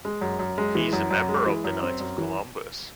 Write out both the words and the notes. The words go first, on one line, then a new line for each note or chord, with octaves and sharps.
He is a member of the Knights of Columbus.
G#3
F#2
F#2
G#3
E3
F#2
F#2
G#3
E3
F#2
C4
F#2
E3